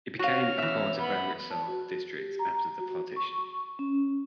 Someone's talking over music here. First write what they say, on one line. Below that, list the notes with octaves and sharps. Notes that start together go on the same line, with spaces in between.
It became a part of Amritsar district after the partition.
C#4 F#4 F5 F6
E3 E5
B3 B5
A5
F#4
G4
A#5
F#4
C#6
C#4